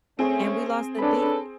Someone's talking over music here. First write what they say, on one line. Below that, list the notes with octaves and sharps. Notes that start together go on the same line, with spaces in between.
And we lost the defense
A3 C4 C#4 G#4
C#4 D4 A4 B4 B5